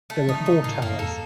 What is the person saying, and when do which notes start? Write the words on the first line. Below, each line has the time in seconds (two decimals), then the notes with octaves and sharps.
There are four towers.
0.10 A3
0.28 C#3 D#4
0.40 C#3
0.46 D#4
0.63 A2 A#3
0.82 F#2 A#3
0.99 F2 A4